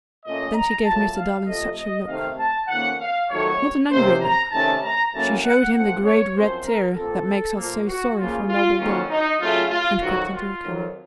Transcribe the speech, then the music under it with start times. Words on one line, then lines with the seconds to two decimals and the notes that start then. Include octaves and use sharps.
Then she gave Mr. Darling such a look, not an angry look: she showed him the great red tear that makes us so sorry for noble dogs, and crept into her kennel.
0.23 A#2 A3 C#4 D#5
0.54 A#5
0.84 A#2 F#3 A3 A5
1.15 F5
1.46 F2 C3 F3 A3 D#5
1.76 D#5
2.06 C3 D#3 A3 C4 F5
2.38 A5
2.67 F2 D#3 A#3 C#4 F#5
2.98 F5
3.29 F2 D#3 F#3 A3 C#5
3.89 C3 D#3 A#3 C#4 C5
4.21 A#5
4.50 C3 D#3 A3 C#4 A5
4.82 A#5
5.12 A2 F#3 A#3 C#4 A5
5.43 F#5
5.73 A#2 A3 C4 F#5
6.03 C#5
6.34 F#2 F3 C4 C5
6.64 A#4
6.94 A#2 F3 C4 A4
7.56 A#2 F3 A#3
7.87 F#4
8.17 C#3 F3 A#3 F4
8.48 F4
8.78 F2 D#3 F#3 A#3 C#4 F4
9.08 D#4
9.39 C#3 F#3 A3 F4
9.70 F4
10.00 F2 D#3 F#3 F#4
10.30 F4
10.62 F2 D#3 F#3